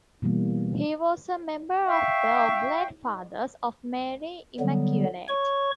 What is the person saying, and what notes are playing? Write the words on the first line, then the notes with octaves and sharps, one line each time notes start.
He was a member of the Oblate Fathers of Mary Immaculate.
B2 E3 G3 A#3
E5 F5 G5 C#6
D3 F#3 G3 B3
C#5 C#6